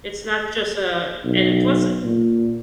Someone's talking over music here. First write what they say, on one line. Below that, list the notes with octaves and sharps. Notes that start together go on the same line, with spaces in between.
It's not just a and then plus
B1
A#2